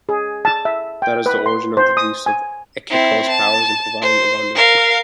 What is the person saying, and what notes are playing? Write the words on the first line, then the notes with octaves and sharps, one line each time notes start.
That is the origin of the beliefs of Ekeko's powers in providing abundance.
G#4
A5
E5
G5
B4
C6
C5
D#6
G#5
C4 E4
A5
C5
A#4 F5